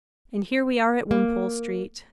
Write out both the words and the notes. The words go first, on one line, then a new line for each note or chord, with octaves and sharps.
And here we are at Wimpole Street.
A#3